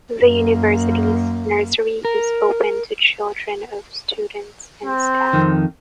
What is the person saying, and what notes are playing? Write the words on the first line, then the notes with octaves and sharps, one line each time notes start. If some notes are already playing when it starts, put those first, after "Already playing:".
The university's nursery is open to children of students and staff.
F#2 A#3
A#4
C4
F2 D#3